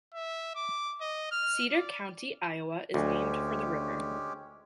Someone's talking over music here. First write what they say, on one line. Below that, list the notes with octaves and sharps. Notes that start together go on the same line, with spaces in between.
Cedar County, Iowa is named for the river.
E5
D6
D#5
F6
D5
D2 G#3 C#4 G4